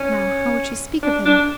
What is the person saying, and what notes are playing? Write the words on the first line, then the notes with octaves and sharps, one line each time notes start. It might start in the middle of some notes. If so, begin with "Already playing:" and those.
"Now, how would she speak of him?"
Already playing: C#4
D4
D4